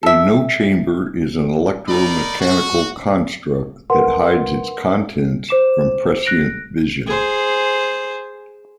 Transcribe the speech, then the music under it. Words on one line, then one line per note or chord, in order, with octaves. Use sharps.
A no-chamber is an electro-mechanical construct that hides its contents from prescient vision.
A4 E5
D#4 A#4 D5 B5
F#4
A#4 B4 F#5 C6
C5 D6 E7
F#6 A#6 D7
G#4 C5